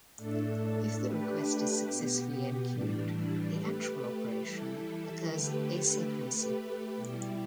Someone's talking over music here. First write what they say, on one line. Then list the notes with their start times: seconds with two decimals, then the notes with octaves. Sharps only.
If the request is successfully enqueued, the actual operation occurs asynchronously.
0.17 A2 A3 D4 A4
1.02 A3 D4 G4 B4
1.87 B2 B3 G4
2.71 A2 E3 G3 D4
3.56 A3 G4 B4
4.41 E3 G3 E4 A4
5.26 D3 A3 G4 B4
6.11 A3 G4 B4
6.96 B2 G3 E4 G4